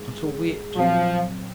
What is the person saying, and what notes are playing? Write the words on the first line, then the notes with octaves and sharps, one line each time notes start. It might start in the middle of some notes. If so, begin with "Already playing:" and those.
"Not a whit."
Already playing: G#2 D#3 G#3 G#4
A#2 F3 F#3 C4